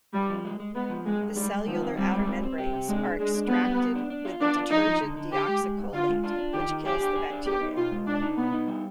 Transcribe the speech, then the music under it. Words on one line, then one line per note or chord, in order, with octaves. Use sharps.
The cellular outer membranes are extracted with the detergent deoxycholate, which kills the bacteria.
G2 G3
F3
G#3
G#3
G#3 B3
F3
G2 G#3
G2
G3 G#3
G#3
D#3 F3
C4
G3 C4
G#3
C4
C4
G4
C3
G#3 D4
D4
G#3 D4
D4
G3 B3
G3
B3
D4
D4
F4
B3 D4
F4
F3 D#4
F3
D3
D3
D3 G4
G#3
G#3
G2
D3 F4
G#3
D4 F4
D4
D#3 G4
D#3
G4 G#4
D4
G#4
D4
B3 G4
D#4
B2 F4
G#3
B2 D4
D#4
B2 B3
D#4
G3